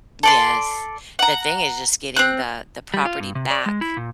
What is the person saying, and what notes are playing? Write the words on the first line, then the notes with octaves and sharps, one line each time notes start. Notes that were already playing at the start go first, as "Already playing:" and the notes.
Yes. The thing is just getting the the property back,
A4 D5 C6
F#5 A#5
C4 F#6
G3
F4
G2
C3
D5
G#3
E4
A#2